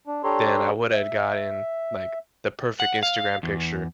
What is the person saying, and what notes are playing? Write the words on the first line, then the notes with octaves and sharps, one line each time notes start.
then I would have gotten, like, the perfect Instagram picture,
D4
D4 G4 A4 C#5 A#5 C6
E5
F#5
F5
E2